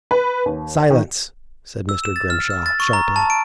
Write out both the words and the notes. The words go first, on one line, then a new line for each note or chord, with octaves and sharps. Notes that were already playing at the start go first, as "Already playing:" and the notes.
"Silence!" said Mr. Grimshaw, sharply.
B4
D#2
D#3
E6
E7
A6
F6
E6
A6
C#6
A#5
A5
D7